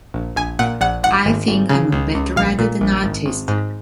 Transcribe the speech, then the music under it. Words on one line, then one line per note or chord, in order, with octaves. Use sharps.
I think I'm a better writer than artist.
A#1
A#1 G#5
A#2 F#5
A#1 F#5
G#1 F#5
G#1
G#1
C#3
C#2
C#2
A#1 F5
A#2
A#1
G#1
G#1
G#2